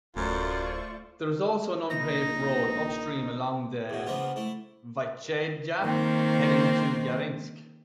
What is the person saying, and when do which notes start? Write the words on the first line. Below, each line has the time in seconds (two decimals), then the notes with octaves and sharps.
There is also an unpaved road upstream along the Vychegda, heading to Yarensk.
0.16 D1 F#2 A3 F4 C5 D5 C#6
1.90 A#1 D#4 A#6
3.90 E2 B2
4.07 C#3 F3 A#3 B3 F4
4.36 A3 E4
5.83 D#3 A#3 C4 C5